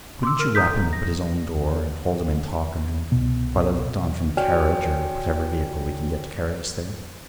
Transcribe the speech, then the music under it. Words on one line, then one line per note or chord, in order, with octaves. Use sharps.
Couldn't you rap him up at his own door, and hold him in talk a minute, while I looked on from the carriage or whatever vehicle we can get to carry us there?
C6 D6 E6
A#4 F6
A#5 D#6 G6 B6
A4
A#6
C2 B2
F#4 C#5 D5 G5 G#5 F6